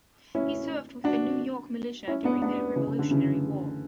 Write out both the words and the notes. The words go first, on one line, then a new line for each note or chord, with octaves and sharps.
He served with the New York Militia during the Revolutionary War.
C#4 E4
D4 F#4
C#4 E4
B3 D4
B3 D4
C#3 E3
C#3
D3
C#3 E3